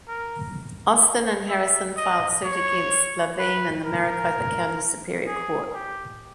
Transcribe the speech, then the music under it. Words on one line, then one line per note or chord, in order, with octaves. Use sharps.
Austin and Harrison filed suit against Laveen in the Maricopa County superior court.
A#4
E5
D#5
C#5
B4
A#4
G#4
G4